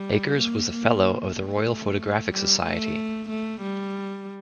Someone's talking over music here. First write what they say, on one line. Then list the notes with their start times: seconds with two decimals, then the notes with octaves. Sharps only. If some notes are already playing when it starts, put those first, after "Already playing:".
Acres was a Fellow of the Royal Photographic Society.
Already playing: G3
0.37 A#3
0.70 A#3
1.34 A3
2.32 G3
2.63 A3
3.29 A3
3.61 G3